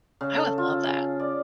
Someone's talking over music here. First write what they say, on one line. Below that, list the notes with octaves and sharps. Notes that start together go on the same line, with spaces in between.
I would love that.
C#3
A4
F4
G#4
D5